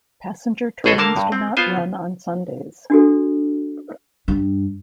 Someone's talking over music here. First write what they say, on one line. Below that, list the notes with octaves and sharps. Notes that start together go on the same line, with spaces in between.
Passenger trains do not run on Sundays.
A1 B2 G#4 A4 D#5 G#5
D3 A#3 A#4 A5
G2
C4
B3 F4 C5 G#5
D4 F#4 A4
G2